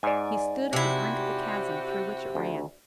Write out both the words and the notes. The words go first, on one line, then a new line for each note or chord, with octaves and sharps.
He stood at the brink of the chasm through which it ran.
G#2 D5 G#5
C3 E4 F#4 G4
D2